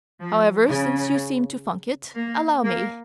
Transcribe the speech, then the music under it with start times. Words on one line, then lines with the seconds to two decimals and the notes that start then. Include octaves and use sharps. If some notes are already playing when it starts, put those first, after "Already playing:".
However, since you seem to funk it, allow me.
0.20 F3
0.69 C#3
2.15 A#3
2.64 A#3